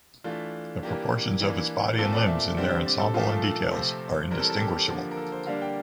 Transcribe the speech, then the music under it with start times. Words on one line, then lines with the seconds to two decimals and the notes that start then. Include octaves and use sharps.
The proportions of its body and limbs in their ensemble and details, are indistinguishable.
0.24 E3 A3 D4 F4
0.82 E3 A#3 D4 G4
1.40 E3 A#3 D4
1.98 A#2 A3 C4 A4
2.13 D5
2.27 E5
2.57 D3 G3 C4
2.86 D5
3.00 A4
3.14 A#2 F3 A3 F4
3.30 A4
3.44 A4
3.72 C3 F3 A3 C4
4.31 E3 G3 C4 A#4
4.40 A4
4.50 A4
4.59 G4
4.88 D3 F3 A#3
5.11 A#4
5.17 A4
5.32 C5
5.46 D3 G3 A#3 D4 F5
5.62 G5